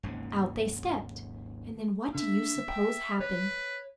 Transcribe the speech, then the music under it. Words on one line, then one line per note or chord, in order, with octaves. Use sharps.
Out they stepped, and then what do you suppose happened?
G#1 D#2 C#3
D3 E5
G5
B4 C#5